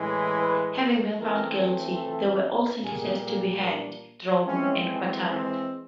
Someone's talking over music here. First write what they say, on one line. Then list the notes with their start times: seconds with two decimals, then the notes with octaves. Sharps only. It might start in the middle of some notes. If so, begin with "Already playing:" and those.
Having been found guilty, they were all sentenced to be hanged, drawn and quartered.
Already playing: A2 E3 G#3
0.37 B4
1.19 E3 A3 C4 A#4
2.00 A4
2.81 A#2 G3 A#3 G#4
3.63 D4
4.44 E3 G#3 C4 C#4
5.26 C4